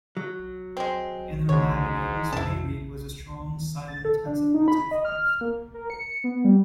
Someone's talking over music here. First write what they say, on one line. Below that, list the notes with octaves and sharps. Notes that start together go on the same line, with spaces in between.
In her married years Mary was a strong, silent, and supportive wife.
F#3
G#3 C4
D2 G#2 C#3 C#5
F2 C3 C#4 E4 A5
A6
A4
D4
D#4
B5
D#5
F6
A#3
A#4
C#7
B3
G3